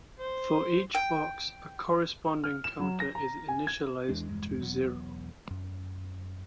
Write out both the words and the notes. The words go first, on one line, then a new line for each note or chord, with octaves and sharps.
For each box, a corresponding counter is initialized to zero.
C5
G5
F6
E7
F#3
A#6
A#5
G#5
G#6
E2 E3 G#3 D4
E1 E2 G2 G#3
E1 F#3 B3
F#2